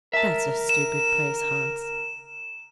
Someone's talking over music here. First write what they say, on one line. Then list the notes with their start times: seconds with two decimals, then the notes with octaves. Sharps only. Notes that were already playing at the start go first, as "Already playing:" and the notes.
'That's a stupid place, Hans.
0.13 A#4 E5 A5
0.69 E7